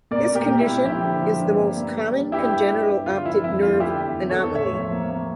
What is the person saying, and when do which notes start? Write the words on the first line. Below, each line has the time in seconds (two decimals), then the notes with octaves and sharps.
This condition is the most common congenital optic nerve anomaly.
0.11 A#2 A#4 D5
0.29 A#2
0.35 G4 A#4
0.48 A#2
0.60 E4 G4
0.67 A#2
0.84 F3 E4 G4
1.04 D3
1.22 F3
1.40 G2
1.58 A#3
1.77 A#3
1.96 G3
2.14 G3
2.32 G2 E4 G4
2.51 G2
2.69 G2
2.89 G2
3.06 D3 F4
3.25 F3 E4
3.44 F2 E4
3.62 A3 F4
3.80 D3 E4 G4
3.99 E2
4.18 E2
4.30 A4 C#5
4.36 E2
4.55 A2 C#5 E5
4.73 F3
4.92 A#3
5.10 A#3